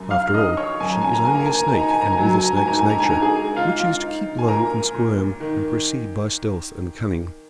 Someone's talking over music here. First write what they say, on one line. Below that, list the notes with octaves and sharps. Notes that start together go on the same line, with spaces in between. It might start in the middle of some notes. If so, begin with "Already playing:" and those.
After all, she is only a snake and with a snake's nature, which is to keep low and squirm, and proceed by stealth and cunning.
Already playing: F#2
F5 F6
F6
D#4 D#5 D#6
C#5 C#6
F#2 G#5
A#5
G#5
A#5
A#3 G#5
A#5
G#5
A#5
D#4 G#5
A#5
G#5
A#5
G#5
F#3 A#5
G#5
A#5
G#5
G#2 A#5
G#5
A#5
G#5
G#2 A#5
G#4 G#5
D#4 F4 F5
F4 F5
D#4
G#5
A#2 A#4 A#5
A#2
D#3